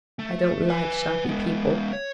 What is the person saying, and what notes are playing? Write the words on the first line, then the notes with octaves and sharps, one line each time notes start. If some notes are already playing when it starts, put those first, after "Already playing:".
I don't like shoppy people.
A3
B4 G#5
G#3 B3
C#5